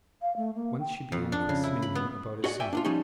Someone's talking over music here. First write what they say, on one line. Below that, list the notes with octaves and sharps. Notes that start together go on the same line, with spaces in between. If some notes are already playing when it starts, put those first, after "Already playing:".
Once she began questioning him about his son.
F5
A3
A#3
G5
F2
D4
C#3
E4
B5
B3
F#4 G#4 D5 D#5 F#5
D5 E5 G5 G#5
D4 E4 F4
F3 G3 C#4 D#4